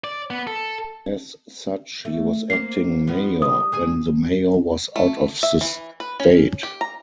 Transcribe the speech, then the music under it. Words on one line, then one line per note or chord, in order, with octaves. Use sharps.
As such he was acting mayor when the mayor was out of the state.
D5
B3
A4
A3
A#3 C5 C7
F3 B3
G3 D#6
D2 G#4
A3
E5
E3
B4
C#4
G4
A#5